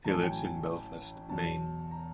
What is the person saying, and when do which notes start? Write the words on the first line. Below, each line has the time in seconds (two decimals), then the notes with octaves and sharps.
He lives in Belfast, Maine.
0.05 A1 A2 F#3 A5
0.14 G#5
0.23 G5
0.31 G#5
1.29 E2 B2 F#3 A5
1.91 A#5